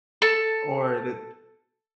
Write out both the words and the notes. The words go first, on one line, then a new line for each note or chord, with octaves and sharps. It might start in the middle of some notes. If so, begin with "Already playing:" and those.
Or the
A4 A5